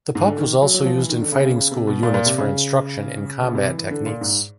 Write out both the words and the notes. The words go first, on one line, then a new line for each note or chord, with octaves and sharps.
The Pup was also used in Fighting School units for instruction in combat techniques.
G#2
D3
D#3
F#3
F#3
F3
E3
D#3
D3
C#3
C3
C#3
C#3
C3
B2
A#2
A#2
C3
C#3
B2
C3
E3
E3
D3
A#2
G#2